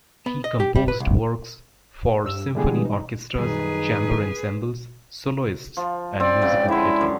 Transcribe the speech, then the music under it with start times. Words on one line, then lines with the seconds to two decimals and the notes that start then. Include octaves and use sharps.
He composed works for symphony orchestras, chamber ensembles, soloists and musical theatre.
0.26 B3
0.44 D#5
0.60 G4
0.75 G3
0.88 B4
1.00 C2
2.25 G2 E6
2.55 D3 E3 G3 G#3 B3 G#4
2.85 D#4
3.39 F#2 D#3 G3 D#4 G#4 B4
5.77 F3
6.20 C4 D5
6.42 G#2 C#3 G5
6.68 D3 G#3 E4
7.01 F#2